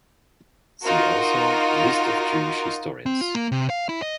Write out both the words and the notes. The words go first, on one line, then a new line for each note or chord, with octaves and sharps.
See also List of Jewish historians.
D#4 F4 F#4 A#4
C4
F4
A#3
C3
F5
E4
D#5